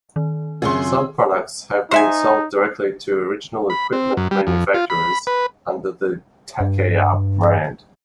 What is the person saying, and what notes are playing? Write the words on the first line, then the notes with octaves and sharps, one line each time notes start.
Some products have been sold directly to original equipment manufacturers under the Takaya brand.
D#3
F#2 C#3 C4 F4 G#4 C6 E6
D#4 C5 E5 G#5
B5
C4
F#2
G3
F2
F4
B5
B4
G2